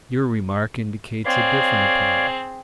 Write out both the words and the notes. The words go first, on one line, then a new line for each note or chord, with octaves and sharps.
Your remark indicates a different opinion....
C4 G#4 C#5 D5 F5